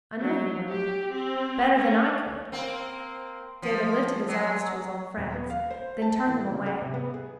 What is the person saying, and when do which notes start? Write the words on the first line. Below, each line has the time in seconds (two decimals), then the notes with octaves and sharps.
"I know you will, better than I could." David lifted his eyes to his old friend's, then turned them away.
0.20 F#3
0.70 G4
1.14 C4
1.76 C#4
2.52 A#3 C4
3.62 F3
4.28 F#3
5.17 D#1
5.33 B3
5.50 F5
5.70 C5
6.02 A5
6.26 A1
6.51 C#3
6.66 G#4
6.81 C3
6.94 B3
7.14 G#4